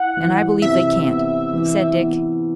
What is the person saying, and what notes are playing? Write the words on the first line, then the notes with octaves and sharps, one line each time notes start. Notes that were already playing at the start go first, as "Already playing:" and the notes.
"And I believe they can't," said Dick.
Already playing: E4 F#5
E3
C3 E5
B3
E3
B3